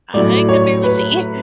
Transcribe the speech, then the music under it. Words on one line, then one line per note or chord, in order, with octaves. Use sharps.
I could barely see.
A2 F#3 D5
C#5
B4